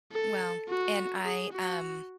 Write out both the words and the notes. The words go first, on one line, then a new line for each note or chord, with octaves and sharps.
Well and I, um
A4
F#4
G#4
F#4